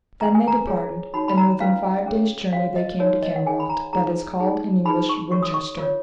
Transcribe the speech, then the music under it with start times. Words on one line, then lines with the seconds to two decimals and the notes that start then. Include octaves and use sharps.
THEN they departed, and within five days' journey they came to Camelot, that is called in English, Winchester.
0.20 C#4 G#4 B4 A#5
0.34 G#5
0.48 A#5
0.67 F4 G#4 C#5
1.14 D#4 F#4 C#5 B5
1.28 B5
1.37 A#5
1.60 C#4 F4 B4 F5
2.06 C#4 G#4 C#5
2.53 C#4 F#4 C#5 F5
2.76 D#5
2.99 D#4 F#4 A#4 C#5
3.22 D#5
3.36 F#5
3.46 D#4 G#4 C#5 G#5
3.60 B5
3.69 A#5
3.93 D#4 G#4 C#5 A#5
4.39 D#4 G#4 C#5
4.85 D#4 G#4 B4 B5
5.09 C#6
5.31 F#4 A#4 C#5 C#6
5.43 D#6
5.54 C#6
5.79 F4 A#4 C#5